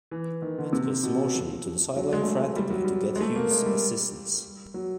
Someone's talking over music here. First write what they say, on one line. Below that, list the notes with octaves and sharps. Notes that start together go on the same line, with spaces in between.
Butkus motioned to the sideline frantically to get Hughes assistance.
E3
D#3
D3
C3
B2
F3
F#3
G#3
A3
G#3
G#3
G3
F#3
G3
G#3
A3
A#3
G#3
G3
F#3